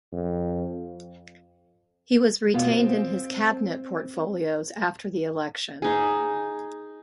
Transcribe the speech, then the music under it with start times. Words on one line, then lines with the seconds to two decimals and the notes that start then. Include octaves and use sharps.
He was retained in his cabinet portfolios after the election.
0.12 F2
2.54 B2 B3 F4
2.72 C4
5.82 D#4 G#4